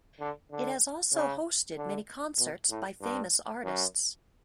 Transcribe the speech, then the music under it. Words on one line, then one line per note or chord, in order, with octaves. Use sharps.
It has also hosted many concerts by famous artists.
D3
D3
C#3
D3
B2
A2
G2
F#2